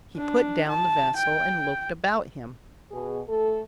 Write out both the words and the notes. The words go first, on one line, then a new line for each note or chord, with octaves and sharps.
He put down the vessel and looked about him.
D4
A5
G5
B2 G#4
A3 A4